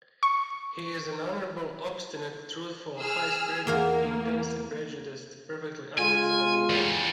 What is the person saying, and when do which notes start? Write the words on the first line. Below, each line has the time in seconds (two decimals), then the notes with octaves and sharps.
He is an honourable, obstinate, truthful, high-spirited, intensely prejudiced, perfectly unreasonable man.
0.23 C#6
2.98 G#4 E6 F6
3.67 E2 A#3 A#4 F5
5.98 G#3 F4 G#5
6.70 E2 G3